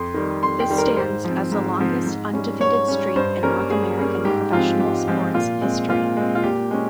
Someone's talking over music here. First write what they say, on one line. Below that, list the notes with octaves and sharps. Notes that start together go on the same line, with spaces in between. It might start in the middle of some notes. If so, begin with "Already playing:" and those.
This stands as the longest undefeated streak in North American professional sports history.
Already playing: F2 C6
D#3 G3
F2 C6
G5
D#3 G3
A#4
G#2 C5
F3 C4
G#2
F3 C4
G#2
G3 C#4
G#2 C#5
G3 C#4
G2 C5
G3 A#3 C#4 A#4
G2 G#4
G3 A#3 C#4
G#2 G4
F3 G#3 C4 F4
G#2 G4
F3 G#3 C4
A#2 F4
G#3 C4
A#2 F4
G#3 C4
F4
A#2 G4
G#3 C#4